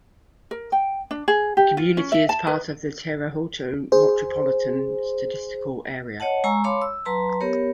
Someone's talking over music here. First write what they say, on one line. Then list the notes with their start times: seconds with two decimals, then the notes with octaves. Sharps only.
The community is part of the Terre Haute Metropolitan Statistical Area.
0.51 A#4
0.72 G5
1.11 D4
1.28 G#4
1.57 G4
1.77 F4
1.97 C#4
2.12 E5
2.29 A5
2.47 B4
3.92 G#4 C5
6.20 C#5 D#5 F#5 A5
6.44 G#3 G#5 A#5 C#6 E6
6.64 C#5 F5 A5 B5 C6 D6
6.82 E6
7.05 F#3 B4 A5 A#5 C6
7.40 B3 G4 A#4 C#5